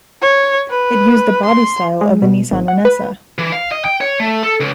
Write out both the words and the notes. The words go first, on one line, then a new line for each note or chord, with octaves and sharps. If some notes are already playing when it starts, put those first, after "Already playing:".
It used the bodystyle of the Nissan R'nessa.
C#5
B4
C6
G#3
B2
G#1
F#5
B4
E3
F5
D#5
G5
C#5
A3
A4
C#2